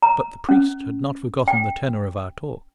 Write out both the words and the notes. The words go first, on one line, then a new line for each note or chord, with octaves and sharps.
But the priest had not forgotten the tenor of our talk.
A#5
C#4
G5